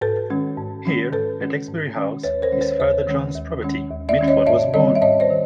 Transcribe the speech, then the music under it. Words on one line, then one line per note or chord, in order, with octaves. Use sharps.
Here, at Exbury House, his father John's property, Mitford was born.
G#2 A4 B4
D#3 G#3 C#4
G#2
D#3 G#3 C#4
G#2 A4 B4
D#3 G#3 C#4
G#2
D#3 G#3 C#4
D#2 B4 C#5
A#4 C5
D#3 G#3 C#4
B4 C#5
D#2 B4 C#5
D#3 G#3 C#4
D#2
D#3 G#3 C#4
D#2
D5 E5
D#3 G#3 C#4
C#5 D#5
G#2 D5 E5
D#3 G3 C4 C#5 D#5
E5
G#2 C#5 D#5
C5 D5
D#3